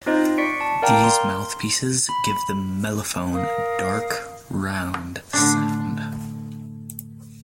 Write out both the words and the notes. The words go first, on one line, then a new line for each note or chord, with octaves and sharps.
These mouthpieces give the mellophone a dark, round sound.
C4 D#4 F4 C5 D#5
D5 C#6 B6 C#7 D7
A5
A#4 D5 F5 G5 A#5
C6
B5
A#4 F5 D#6
A2 D3 A3 D4